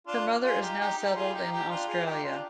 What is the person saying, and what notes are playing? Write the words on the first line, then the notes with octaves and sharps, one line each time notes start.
Her mother is now settled in Australia.
D4 F4
F4 G#4
D#4 G4
D#4 G4
D#4 G4
F4 G#4
D#4 G4
D#4 G4
D4 F4
F4 G#4
D#4 G4
D4 F4